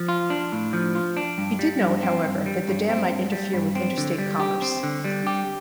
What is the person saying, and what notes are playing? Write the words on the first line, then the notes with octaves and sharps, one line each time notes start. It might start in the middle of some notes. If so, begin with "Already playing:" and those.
He did note, however, that the dam might interfere with interstate commerce.
Already playing: F3
F4
D4
A2
F3
F4
D4
G2
G3
G2
C4
G2
G3
G2
C4
G2
G3
G2
C4
D3
G3
G4
C4
D3
G3
G4